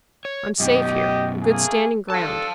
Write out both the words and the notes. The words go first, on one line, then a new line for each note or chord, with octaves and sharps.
I'm safe here, on good standing-ground.
C#5
F#2 B2 G4 D#5
A3 A#3 G#4
G3 D4 A4 F5 A5